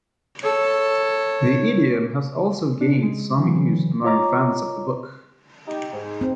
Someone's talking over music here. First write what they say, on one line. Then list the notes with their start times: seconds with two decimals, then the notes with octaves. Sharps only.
The idiom has also gained some use among fans of the book.
0.43 A4 C#5
2.81 D4
3.03 G#3
3.38 D3 E3 F#3
4.04 F4 C#5 D#5 A#5 D6
5.67 D#4 G4
5.93 G#2
6.21 C4